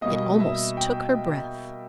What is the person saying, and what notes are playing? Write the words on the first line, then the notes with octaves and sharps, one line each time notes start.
It almost took her breath.
B2 G3 A#3 D#5
E5
G5